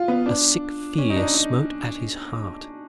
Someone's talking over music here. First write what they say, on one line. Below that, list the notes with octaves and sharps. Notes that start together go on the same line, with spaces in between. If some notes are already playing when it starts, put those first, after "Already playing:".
A sick fear smote at his heart.
Already playing: F4
B3
D4
C#4
D#4
D4
D#4
D#4